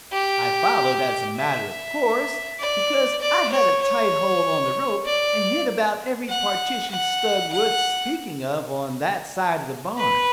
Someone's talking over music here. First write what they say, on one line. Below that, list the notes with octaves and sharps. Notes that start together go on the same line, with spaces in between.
I followed, as a matter of course, because I had a tight hold on the rope, and hit about every partition-stud worth speaking of on that side of the barn.
G4
E5
D5
D5
C#5
C#5
D5
F#5
F#5
F#5
B4